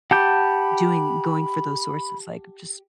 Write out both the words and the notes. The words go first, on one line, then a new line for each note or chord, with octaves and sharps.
doing going for those sources, like just
G4 F#5 A5 B5 G6